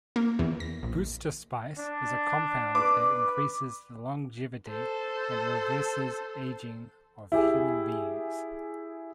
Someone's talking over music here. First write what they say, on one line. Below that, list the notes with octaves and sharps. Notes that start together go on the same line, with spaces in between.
Boosterspice is a compound that increases the longevity and reverses aging of human beings.
A#3
E2
A#6
A#1
D4
B4 D6
A4 C5
E4 G4 G#4